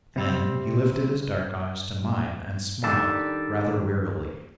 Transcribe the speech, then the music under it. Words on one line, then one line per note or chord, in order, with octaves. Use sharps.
Then he lifted his dark eyes to mine, and smiled, rather wearily.
C3 G3 C4
D#3 G3 D4 A4